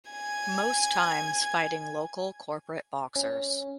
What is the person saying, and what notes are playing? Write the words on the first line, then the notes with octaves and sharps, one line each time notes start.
Most times fighting local corporate boxers.
G#5 G#6
C#4